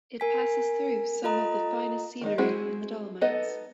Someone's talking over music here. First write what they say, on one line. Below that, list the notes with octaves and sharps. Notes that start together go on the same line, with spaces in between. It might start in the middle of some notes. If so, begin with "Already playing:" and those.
It passes through some of the finest scenery in the Dolomites.
A#4 G#5 B6
F4 A4 D#5 A#5
D#3 G#3 D#4
G#3 C4 E4 F#4 G#4
B3 D#4 A4 B4 D#5